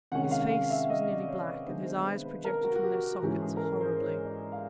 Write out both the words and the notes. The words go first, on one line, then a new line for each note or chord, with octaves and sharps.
His face was nearly black, and his eyes projected from their sockets horribly.
C3 D#3 G#3 C#4 F#5
F5
F5
E5
D#5
D5
C#5
B4
D#3 G#3 B3 D4 C5
C5
B4
B4
A#4
F#4
F#4
G4
G#2 E3 G#3 C#4 G4
G#4
A#4
A4
C5
C#5
D5
F5